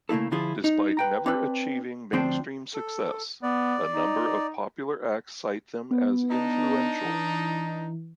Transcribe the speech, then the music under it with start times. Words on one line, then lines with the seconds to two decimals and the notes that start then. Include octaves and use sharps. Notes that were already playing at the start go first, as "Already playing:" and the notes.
Despite never achieving mainstream success, a number of popular acts cite them as influential.
0.09 C#3 A3 A#3 E4 A4
0.31 D3 F3 E4 F4 G#4
0.64 D#4
0.97 B4 G5 A#5
1.26 C4 D4 B4
2.13 D2 F3 C4 D4 C5 G5
2.74 A4
3.43 B3 D5
3.93 D#4
5.91 B3
6.30 D4 D#4
7.05 E3